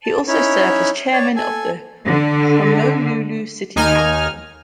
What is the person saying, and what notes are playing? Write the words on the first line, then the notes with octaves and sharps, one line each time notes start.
He also served as chairman of the Honolulu City Council.
A5
C#4 D#4 E4 C#5 B5
C#5 D5
A4 G#5
D3
D#2 D#4 G#5 F6